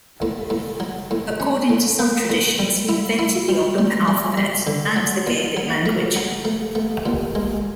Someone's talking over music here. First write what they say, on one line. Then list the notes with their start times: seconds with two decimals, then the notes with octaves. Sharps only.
According to some traditions, he invented the Ogham alphabet and the Gaelic language.
0.22 A2
0.50 A2
0.80 F#3
1.11 A2
1.40 C#4
1.69 A2
1.99 A#3
2.30 A2
2.59 G3
2.89 E4
3.19 E4
3.49 G3
3.78 G3
4.08 G3
4.37 G3
4.67 D3
4.96 F#3
5.27 A#2
5.57 F#3
5.86 A3
6.16 F#3
6.45 A3
6.75 A3
7.06 A#2
7.35 G#3